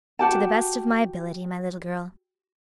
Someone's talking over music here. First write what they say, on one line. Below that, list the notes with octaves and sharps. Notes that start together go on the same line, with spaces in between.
"To the best of my ability, my little girl."
F#4 G4 A5